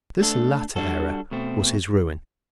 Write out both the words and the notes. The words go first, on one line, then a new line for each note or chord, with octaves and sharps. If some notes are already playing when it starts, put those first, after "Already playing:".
This latter error was his ruin.
A3 D4 A4
G3 D4 F#4 A4
B2 A3 C4